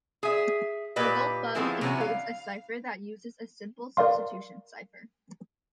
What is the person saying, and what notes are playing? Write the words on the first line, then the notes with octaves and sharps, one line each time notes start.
"The Gold-Bug" includes a cipher that uses a simple substitution cipher.
G#4 E5
A#2 G4 B4 D#5
D#3 F3 B3 C4 E4 G#4
C3 E3 F#3 B3 C#4
F5
A#4 D5 F5 C6